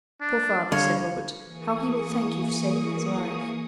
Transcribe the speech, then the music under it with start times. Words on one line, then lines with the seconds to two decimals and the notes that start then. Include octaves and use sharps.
"Poor father," said Robert; "how he will thank you for saving his life."
0.21 D4
0.72 D3 G3 C#5 F5
1.45 E3 A#3 G#4 C#6 D#6